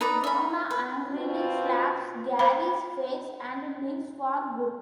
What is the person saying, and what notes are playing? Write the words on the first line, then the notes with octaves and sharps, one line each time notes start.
Joanna angrily slaps Garry's face and leaves for good.
D#4 B4 D5 A#5
E5 B5
B4
B2 C4 F4
C5 F5 B5